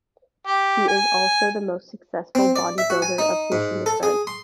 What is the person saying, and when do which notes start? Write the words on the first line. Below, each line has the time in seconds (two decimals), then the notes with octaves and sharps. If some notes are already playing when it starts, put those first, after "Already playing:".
She is also the most successful bodybuilder of Haitian descent.
0.47 G4
0.88 G#5
2.35 C4
2.56 D5
2.78 E5
2.90 F#4
3.02 G#5
3.18 D#4
3.52 G#2
3.86 A4
4.03 G#4
4.27 C6